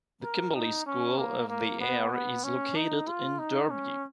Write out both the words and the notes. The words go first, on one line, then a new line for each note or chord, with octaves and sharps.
The Kimberley School of the Air is located in Derby.
A#4
D#4
C#4
A#3
A#3
B3
B3
C#4
D#4
F4
D#4
C#4